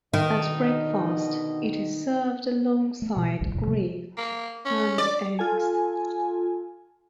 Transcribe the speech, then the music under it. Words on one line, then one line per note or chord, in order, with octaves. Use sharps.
At breakfast it is served alongside grits and eggs.
B2 D3 D#3 D#5
A3
B2 F3
A1 D2 G3
D1 E2 G2 B2
C3 F3 G3 A#3
A#3
C#4
D5
F4 A4 G#5